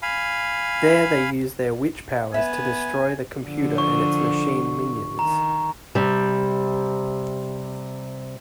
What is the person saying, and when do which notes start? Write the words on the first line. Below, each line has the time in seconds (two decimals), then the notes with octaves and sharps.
There they use their witch powers to destroy the computer and its machine minions.
0.03 F5 G#5 B5
2.34 B3 E5 G#5
3.47 D3 F3
3.78 C#6
5.19 D#3 A#5
5.95 C3 G3